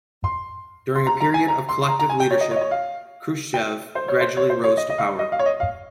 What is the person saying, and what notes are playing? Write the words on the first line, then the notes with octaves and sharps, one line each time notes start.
During a period of collective leadership, Khrushchev gradually rose to power.
C6
C6
A#5
A#5
G#5
A#5
C6
C6
A#5
A#5
G#5
G5
C#5
D#5
C#5
D#5
C#5
F5
G5
C5
C#5
C5
C#5
C5
C#5
D#5
D#5
F5
D#5
F5
C#5
D#5
F5